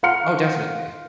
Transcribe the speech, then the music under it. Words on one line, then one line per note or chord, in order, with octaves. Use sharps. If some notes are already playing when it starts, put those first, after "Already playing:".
Oh, definitely.
F4 F5 F#5 C6 F6 C#7